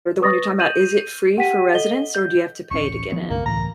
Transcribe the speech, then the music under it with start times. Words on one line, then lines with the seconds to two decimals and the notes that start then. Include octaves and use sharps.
the one you're talking about, is it free for residents, or do you have to pay to get in?
0.21 B4 C#6 D#6 A6 A#6
0.59 G6 D#7 E7 F#7
1.37 G4 F#5 G5 B6 D#7
1.74 A4 D#5 G7
2.15 G6
2.71 D1 A1 C#4 C#6
3.12 F3 B3
3.30 B1 F#2 C#3 A#3
3.46 C#2 A2 E3 A#5